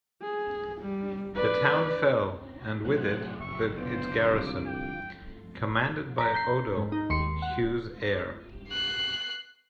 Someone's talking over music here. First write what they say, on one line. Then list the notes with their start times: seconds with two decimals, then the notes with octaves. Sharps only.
The town fell and with it, its garrison, commanded by Odo, Hugh's heir.
0.22 G#4
0.81 G3
1.35 B4 D5
2.85 A2 C3 F#3 C5 F#5 F#6
3.40 F#1 E5 C#6
3.78 D3 B3 F4 C5 D6
4.25 C2
4.67 G5
6.18 A#5 B6
6.34 G6 B6 C7
6.77 G#2
6.92 D#4
7.10 D#2 C6 C#7
7.42 F#5
8.69 F#6 C7